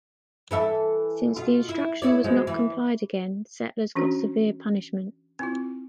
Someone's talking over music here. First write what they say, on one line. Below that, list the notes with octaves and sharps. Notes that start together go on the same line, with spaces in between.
Since the instruction was not complied again, settlers got severe punishment.
E3 A4 E5
B2 F4
E4
E4 C#5 D5
B2 F3 G#3
E3
E3 C#4 D4 F#4
C4 E4 F4